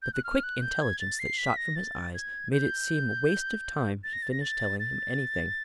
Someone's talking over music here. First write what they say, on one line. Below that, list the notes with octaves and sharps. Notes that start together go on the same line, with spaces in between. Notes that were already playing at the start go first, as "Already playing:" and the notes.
But the quick intelligence that shot from his eyes made it seem waste of time to finish telling him anything.
G6
F#6
F6
F#6
G6
G#6
A6
C7
B6
A#6
A6
G#6
G6
A6
A#6
A6
A#6
A6
A6